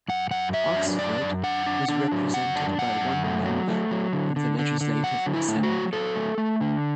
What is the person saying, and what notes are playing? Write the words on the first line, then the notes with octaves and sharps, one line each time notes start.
Oxford was represented by one member in the Legislative Assembly.
F#2 F#5
F#2 F#5
F#3 E5
D4
F#2 D5
F#2
D4 F#5
D4
D4
F#3
F#2 F#5
D4
F#2 F#5
F#2
A3
F#3
A3
F#3
D3
D3
D3
D3
F#3 F#5
D3
E4
A3
F#4
F#3
F#3 A4
A3
A3
D3